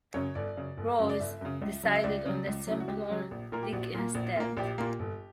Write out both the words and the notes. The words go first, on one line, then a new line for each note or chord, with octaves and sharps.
Rose decided on the simpler Digg instead.
F#2 C#3 C#5
G1 D5
F#2 C#3
G1
F#2 C#3
D5
G1 E5
F#2 C#3
C#2
C#3 F#3
E5
C#2 D5
C#3 F#3
C#2
C#3 F#3 E4
F#4
C#2 G4
C#3 F#3
A#1
A#2 A#3 A#4
G4
A#1 F#4
A#2 A#3
A#1
A#2 A#3
A#1 G4
A#2 A#3
G1